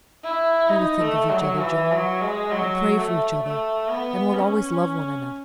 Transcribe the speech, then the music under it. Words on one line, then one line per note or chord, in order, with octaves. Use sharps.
We will think of each other, John, and pray for each other; and will always love one another.
E4
D#4
A3
F#3
E3
F#3
G#3
F#3
A3
A3
B3
C#4